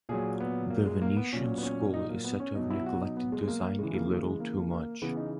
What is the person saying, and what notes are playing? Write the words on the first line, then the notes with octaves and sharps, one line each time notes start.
The Venetian school is said to have neglected design a little too much.
A#2 F#3 G#4
B3
A#3
G#3
A#3
B3
A#2 F#3 C#4
B3
C#4
D#4
A#3
B3
C#4
B2 F#3 D#4
E4
F#4
D#4
B3
G#3
G#3
A#3
A#3
C#3 E3 G#3
A#3
A#3
G#3
A#3
A#3
C#3 E3 B3
D#4